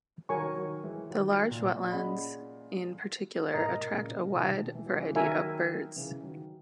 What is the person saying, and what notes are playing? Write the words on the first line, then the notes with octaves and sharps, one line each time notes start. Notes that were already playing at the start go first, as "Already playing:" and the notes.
The large wetlands in particular attract a wide variety of birds.
D#3 F#3 A#4 C#5 G#5 C#6
D#3 F#3
E3 G#3
D#3 F#3
A#2
C#4 G#4 D#5 F#5 B5
G#2 B2 A#4 D#5 A#5
A#2 C#3
C#3
B2 D#3
E3
F#3
C#3 E3
D#3 F#3 A#4 E5 G#5
C#3 E3
D#3 F#3